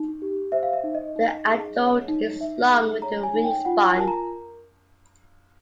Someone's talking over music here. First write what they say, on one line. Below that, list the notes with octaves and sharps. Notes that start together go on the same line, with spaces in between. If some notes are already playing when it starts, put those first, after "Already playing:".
The adult is long with a wingspan.
Already playing: D#4
G4
C5 E5
F5
E5
D#4
D#5
D#4
G#4
C#5
D#4
D#4 E5
G#4
C#5 A#5
G#5
D#4
G5
F4 F#5
G#5
A#4 A5
A#5